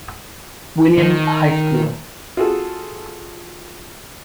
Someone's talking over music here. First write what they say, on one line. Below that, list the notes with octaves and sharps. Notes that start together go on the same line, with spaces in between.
Williams High School.
D#3
F4 F#4 G#4 A4